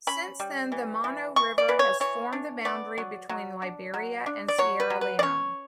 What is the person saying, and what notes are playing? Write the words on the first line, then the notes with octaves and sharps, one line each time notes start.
Since then, the Mano River has formed the boundary between Liberia and Sierra Leone.
C#4 B5
G3
E3
E3
E3 C#6
D5
E3 B4
C#5
E3 C#5
D4
B3 D5
F#3
F#3
D4
F#3
D4
D5
F#3 C#5
B4
F#3
B4
D5
C#4 C#5